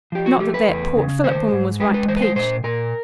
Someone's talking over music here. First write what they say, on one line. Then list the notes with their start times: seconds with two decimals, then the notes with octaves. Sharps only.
Not that that Port Phillip woman was right to peach.
0.12 F3 G4
0.26 F#4
0.40 A3 G4
0.54 B4
0.68 E2
0.96 C#3
1.24 D#3 C5
1.52 G#2
1.80 G#3 B4
1.94 B4
2.08 E3 C5
2.17 B4
2.22 C5
2.36 A#2 C5
2.64 A#2 A#4